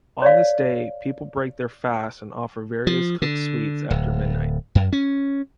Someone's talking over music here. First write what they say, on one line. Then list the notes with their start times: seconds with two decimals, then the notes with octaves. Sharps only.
On this day, people break their fast and offer various cooked sweets after midnight.
0.22 C#5 D5 F5
2.87 F3
3.22 D3
3.90 D1
4.75 F#2
4.93 C#4